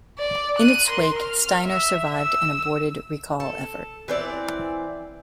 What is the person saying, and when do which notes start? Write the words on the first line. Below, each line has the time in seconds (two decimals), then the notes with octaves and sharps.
In its wake, Steiner survived an aborted recall effort.
0.19 D5
0.59 F#6 D#7
0.88 A#4 C6
1.19 F6
1.65 E5
2.18 E6
3.40 A4
4.08 E3 C4 D5